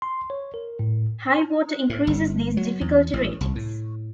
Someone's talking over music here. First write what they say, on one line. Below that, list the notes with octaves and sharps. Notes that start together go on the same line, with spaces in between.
High water increases these difficulty ratings.
C6
C#5
A#4
A2
A2
G1
F#3
E2
A1
C2
A2